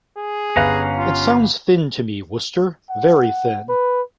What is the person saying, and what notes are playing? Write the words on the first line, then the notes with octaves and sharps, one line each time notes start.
It sounds thin to me, Wooster, very thin.
G#4
G1 C#4 B4 F5 A#5 F#6
F4
F#5
B4